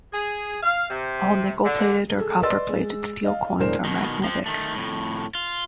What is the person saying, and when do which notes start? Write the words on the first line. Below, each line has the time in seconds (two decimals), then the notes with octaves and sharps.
All nickel-plated or copper-plated steel coins are magnetic.
0.13 G#4
0.63 F5
0.90 C3
1.65 D3
2.18 G#4 A4
2.43 B4 D5 D#5 C6 E6 A6
2.69 G#3
3.24 D#5 F5
3.59 E1 A2 D3 A#4 C5 E7
3.85 B2 D#3
4.24 F3 C4
4.46 D#3 A3
4.75 F2 A2
5.35 F4